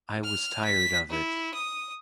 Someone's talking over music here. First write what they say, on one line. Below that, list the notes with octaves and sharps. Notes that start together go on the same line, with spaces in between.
I was tired of it.
F6
B6
E4
D#6